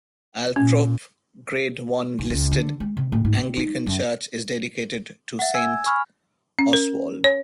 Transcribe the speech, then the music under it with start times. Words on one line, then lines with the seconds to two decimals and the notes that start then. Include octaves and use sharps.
Althorpe Grade One listed Anglican church is dedicated to Saint Oswald.
0.56 A#2 C#4
2.19 B1
2.30 C#2
2.51 D3
2.80 G#3
2.97 C3
3.12 A2
3.25 G#2
3.37 C4
3.57 D#4
3.86 F#2
5.39 E5 F#5
5.54 G#5 E6 G#6
5.86 G#5 B5 C#6 F6
6.59 C#4
6.73 A#4
7.24 C#5